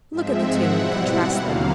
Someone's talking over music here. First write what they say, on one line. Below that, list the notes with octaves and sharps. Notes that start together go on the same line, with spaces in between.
Look at the two, and contrast them.
G#2 F3 G#3 C4 E5
F#5
B2 G3 C4 E4
D#2 D3 F#3 A#3 F5